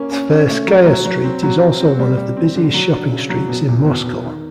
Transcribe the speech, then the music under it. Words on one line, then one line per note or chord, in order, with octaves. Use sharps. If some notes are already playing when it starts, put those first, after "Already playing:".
Tverskaya Street is also one of the busiest shopping streets in Moscow.
Already playing: A#3 C#4
C#4
C#4
A3
F#3
F#3
F#3
C4
F#3
C4
C4
G3
G3
C4
D3
F#3
D4
C#3
F#3
B2
E2
B2
B2
D#3